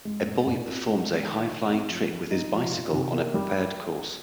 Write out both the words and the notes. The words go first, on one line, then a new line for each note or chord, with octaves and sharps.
A boy performs a highflying trick with his bicycle on a prepared course.
G#3
A#2
A#2
C4
G#3
D#3
D#3
D#4
C4
F3
F3
D#4
F3
F4
C3
A#3
G3